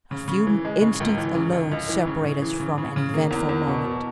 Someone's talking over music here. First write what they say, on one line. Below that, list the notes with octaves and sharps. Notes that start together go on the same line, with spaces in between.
A few instants alone separate us from an eventful moment.
C#3
C#3
E3
G#3
C#3
C#2
E3
C#3
C#2
C#2
E3
C#3
C#3
E3
C#3
C#3
C#3
A#3
E2
E2
B2
B2